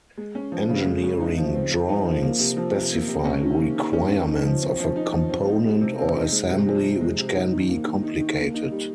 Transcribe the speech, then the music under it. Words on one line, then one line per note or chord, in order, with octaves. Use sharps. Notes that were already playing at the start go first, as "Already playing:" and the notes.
Engineering drawings specify requirements of a component or assembly which can be complicated.
G#3
C#4
F3
C#3
G#3
C#4
D#4
F3
C4
F3
D#4
F3
A#3
C3
F3
C3
A#3
C3
C#4
D#3
A#3
D#3
C#4
D#3
D#4
F3
C4
F3
D#4
F3
C4
D#4
G3
C3
C4
D#4
G#3
C3
F3
C3
G#3
C3
D#4
D#3
A#3
D#3
D#4
D#3
A#3
D#4
G3